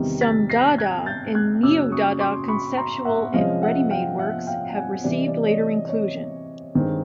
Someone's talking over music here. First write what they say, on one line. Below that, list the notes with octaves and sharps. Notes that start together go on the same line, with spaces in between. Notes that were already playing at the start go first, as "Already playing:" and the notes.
Some Dada and Neo-Dada conceptual and readymade works have received later inclusion.
Already playing: E2 C3 D#3 G3
A6 B6
A#6 C7
F#6 G#6
G6 A6
F#6 G#6
F#2 C#3 F#3 A#3 C#4 D6 E6
C#6 D#6
C6 D6
B5 C#6
A#5 C6
E5 F#5
C3 F3 G#3 C#4 D#5 F5
E5 F#5
F5 G5
E5 F#5
F5 G5
F#5 G#5
C3 E3 G3 D5
D#5
D5
C#5 D#5
C#5 D#5
G2 D#3 G#3 C4